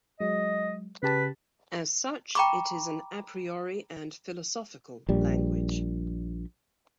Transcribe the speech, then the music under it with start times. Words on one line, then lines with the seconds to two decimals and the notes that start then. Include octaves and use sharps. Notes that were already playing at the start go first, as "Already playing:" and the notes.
As such it is an "a priori" and "philosophical" language.
0.20 F#3 G#3 D#5
1.03 C#3 G4 B4 A5
2.35 G5 A#5 B5 C#6 D6
5.09 A#1 G3